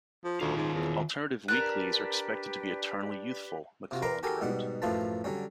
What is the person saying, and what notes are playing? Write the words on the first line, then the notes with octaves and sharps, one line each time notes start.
"Alternative weeklies are expected to be eternally youthful," McClelland wrote.
F3
D2 D#3 F4
G#2
E2
D4 G4 A#4 B4 D5 F#6
C3 F4 F#4
A#4 B4 A#5 C6 D6
F#4 G4 A4 A#4 G#5
G#2 B2 G3 F#5
F#2 A2 F3 F4 B4 A5
D3 F#3 G3 C#4